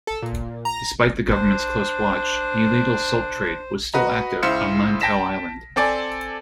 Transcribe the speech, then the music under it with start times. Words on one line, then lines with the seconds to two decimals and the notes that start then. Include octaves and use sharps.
Despite the government's close watch, illegal salt trade was still active on Lantau Island.
0.07 A4
0.23 A#2
0.65 A#5
1.30 D4 C5
3.94 F#4 B4 D#5 A#5
4.43 C#2 E4 C5 C6 F6 C#7
5.01 G5 A5 A#6 B6 E7
5.76 C4 A4 D5 G#5